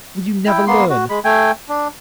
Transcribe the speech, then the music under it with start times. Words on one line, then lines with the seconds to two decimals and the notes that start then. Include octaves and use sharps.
Will you never learn?
0.47 E4 G5
0.67 A#3 B3 C6
0.90 F#4
1.10 G#3 B5
1.24 A3 G5 G#5
1.69 D4